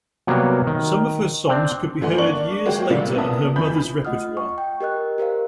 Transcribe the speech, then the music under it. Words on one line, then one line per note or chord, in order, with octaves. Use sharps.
Some of her songs could be heard years later in her mother's repertoire.
C3 F#3 G3 A#3 B3
D#3
C4 D4
G2 E3 A3 F#5 C6
A#3 D4 D5 C#6 F#7
G#3 A#3 F#4 G#4 C#5 G5
A2 C3 G3 A#3 F4
A#1 A#3 B3 E5 A5 D#6
F2 E3 B5 G6
A3 F4 D#5 F#5 D#6 F6
C#6
G5
G4 A#4 D#5 F#6
G4 A#4 C5 F5